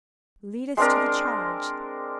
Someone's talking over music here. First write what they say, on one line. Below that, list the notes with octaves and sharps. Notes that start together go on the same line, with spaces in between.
Lead us to the charge!
G#3 C4 D4 A#4